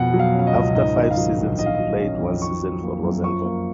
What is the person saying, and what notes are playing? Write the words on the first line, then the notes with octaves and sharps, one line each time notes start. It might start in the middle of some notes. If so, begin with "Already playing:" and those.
After five seasons he played one season for Rosenborg.
Already playing: F2 B2 F#5
F#3
F5
C#4
F5
D#5
C#2
G#2 D#5
D#3
F5
F#3 D#5
A#1
D#3 D#5
F5
F#3 D#5
C#4
F2
D#3 C#6
F#3
A#3
F#2
F3 C#6
A#3